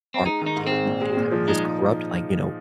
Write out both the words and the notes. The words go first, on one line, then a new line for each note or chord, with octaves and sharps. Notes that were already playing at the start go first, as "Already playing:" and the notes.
are partaking in things that are this corrupt, like, you know,
C4
G#3 D#4
D#3 D#4
G#2
C4
G#2
A#2
G#3
A#2
F3
G#3 D#4